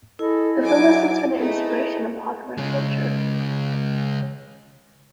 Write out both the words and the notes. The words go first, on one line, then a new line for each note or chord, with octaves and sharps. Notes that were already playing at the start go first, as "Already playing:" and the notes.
The film has since been an inspiration in popular culture.
E4 G#4 A4 D#5 B5
F#3 G#5 D6
A3 D#4 G#4 B4 D#5
C#3 G#3